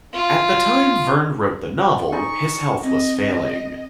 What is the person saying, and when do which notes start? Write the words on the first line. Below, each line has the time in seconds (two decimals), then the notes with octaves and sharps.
At the time Verne wrote the novel, his health was failing.
0.14 F4
2.12 D#4 D5 G#5 C#6
2.84 C4 D#5